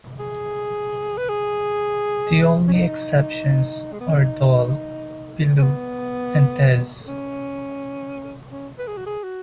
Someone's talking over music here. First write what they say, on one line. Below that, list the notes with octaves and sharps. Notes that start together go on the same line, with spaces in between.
The only exceptions are "Dhol", "Billu" and "Tezz".
G#4
B4
G#4
C#4
D#4
G#3
B3
C#4
D#4
C#4
B3
C#4
C#4
B4
G#4
F#4
G#4
F#4